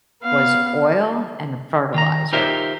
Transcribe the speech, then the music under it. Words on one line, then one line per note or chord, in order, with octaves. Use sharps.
was oil and fertilizer.
B3 F5
D#3 A#5
D#4 F4 G4 A#4 C5 E5